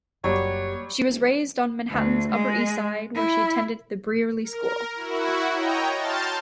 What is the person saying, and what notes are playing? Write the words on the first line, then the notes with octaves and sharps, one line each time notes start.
She was raised on Manhattan's Upper East Side, where she attended the Brearley School.
F#1 F#3 G3 A#3 G4 C#5 C#6
D2
G#3
E4
A#4
E4 F#4
C#5 D#5 G5 A#5
A5 C6 F6 G6 A6